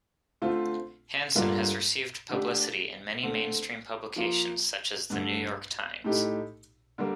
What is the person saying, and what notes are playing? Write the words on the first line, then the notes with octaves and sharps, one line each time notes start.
Hanson has received publicity in many mainstream publications such as the "New York Times".
D3 A3 C4 F4
G2 D3 G3 A#3 F4
D3 A3 D4 G4
D3 A3 C4
F3 A#3 F4
G2 D3 A3
A2 A3 D#4 G4
D3 G3 A#3